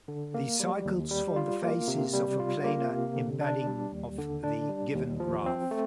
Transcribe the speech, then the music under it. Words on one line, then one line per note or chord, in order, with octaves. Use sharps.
These cycles form the faces of a planar embedding of the given graph.
D3
A#3
G3
D#2
G3
F4
A#3
C3
G3
F4
A#3
C3
D3
D4
G3
D#2
D3
D4
G3
D#2
F3
C4
A3